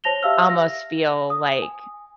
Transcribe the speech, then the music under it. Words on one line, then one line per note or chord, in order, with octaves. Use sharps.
almost feel, like,
C5 C#5 A5 A#6 F7 G7
G4 E5 F5 E6 F6
A#6
D#6
G#5